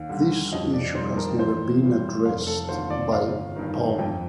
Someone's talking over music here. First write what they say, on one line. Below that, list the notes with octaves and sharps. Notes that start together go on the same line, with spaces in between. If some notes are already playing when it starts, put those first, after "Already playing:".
This issue has never been addressed by Palm.
Already playing: D#2
D3 G3
F2 D#5
D5
D#3 G3 C5
A#4
A1 C5
A2 G3
F1 F5
A4
D#2 D3 F3 C5
D5
G1 F5
G2 D#3 G3
F2 G5